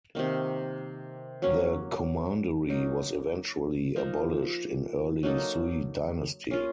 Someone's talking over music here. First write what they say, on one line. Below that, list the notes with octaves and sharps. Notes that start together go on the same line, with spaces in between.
The commandery was eventually abolished in early Sui dynasty.
C3 D#3 A#3
F#3 A#3 C#4
F#3 A#3 D#4
F3 A#3 D#4 A#4
F#3 A#3 D#4 A4
A#3 C#4 F4